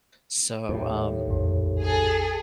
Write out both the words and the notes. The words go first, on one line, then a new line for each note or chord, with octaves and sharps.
So, um
D#2 A2
A#1 F2
G#4 A4